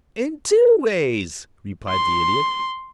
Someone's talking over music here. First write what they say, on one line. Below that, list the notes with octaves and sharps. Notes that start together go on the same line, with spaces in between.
"In two ways," replied the Idiot.
C6